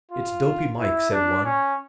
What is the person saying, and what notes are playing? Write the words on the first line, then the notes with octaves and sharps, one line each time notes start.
"It's Dopy Mike," said one.
F4
E4
D4
C#4